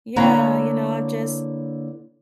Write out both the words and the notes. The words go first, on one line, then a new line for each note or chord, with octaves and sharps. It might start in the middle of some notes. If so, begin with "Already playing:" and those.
Yeah, you know, I just
D3 A#3 E4 B4 C#5 A#5